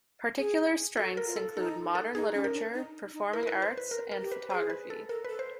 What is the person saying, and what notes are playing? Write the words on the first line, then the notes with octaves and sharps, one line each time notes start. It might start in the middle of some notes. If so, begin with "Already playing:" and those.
Particular strengths include modern literature, performing arts, and photography.
G#4
F#4 A4
A#4
F4
A4
D#4 A4
A4
D#4 G#4
C#4
A#4
D4
D#4
D#4
E4 A#4
A#4
B4
C5
B4
A#4
A#4
G4
B4
G#4 C5
B4
A4
A4 A#4
A4 B4
C5